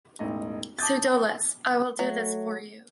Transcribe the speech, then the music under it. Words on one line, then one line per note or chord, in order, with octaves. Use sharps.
Pseudolus: I will do this for you.
E1 A1 D#4 D#5
A5 D6 D#6 G6 A6
F#3 A3